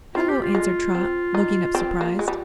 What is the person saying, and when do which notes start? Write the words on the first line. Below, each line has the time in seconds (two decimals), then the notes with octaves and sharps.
"Hello," answered Trot, looking up surprised.
0.15 C4 F4
0.28 G4
0.42 F4
0.55 G#3
0.95 C4
1.35 D#4
1.75 C4
2.01 A#3
2.19 G#3
2.28 G3